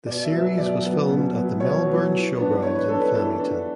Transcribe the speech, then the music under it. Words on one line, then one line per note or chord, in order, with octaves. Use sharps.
The series was filmed at the Melbourne Showgrounds in Flemington.
B2 D5
E5
F#3 B3
E5
B2 D5
F#3 B3
B2
F#3 B3
B2 C#5
F#3 B3
E3
B3 D4
E3 C#5
B4
B3 D4 A4
B4
E3 A4
B3 D4